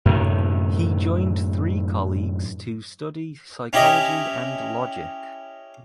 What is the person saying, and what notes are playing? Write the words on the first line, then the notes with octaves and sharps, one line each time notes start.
He joined three colleagues to study psychology and logic.
F#2 A2 C3 D#3
C#4 E4 G4 D#5